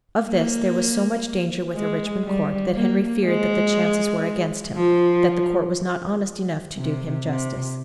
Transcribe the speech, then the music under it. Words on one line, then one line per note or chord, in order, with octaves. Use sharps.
Of this, there was so much danger with a Richmond court, that Henry feared that the chances were against him; that the court was not honest enough to do him justice.
A#3
G#3
G3
A#3
G#3
F3
C3
C3